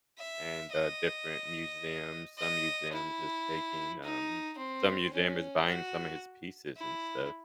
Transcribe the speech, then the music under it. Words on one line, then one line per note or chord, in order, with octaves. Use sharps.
and, uh, different museums. Some museums is taking, um some museum is buying some of his pieces and stuff.
E5
D#5
D#5
E4
D#4
C4
C#4
F#4
E4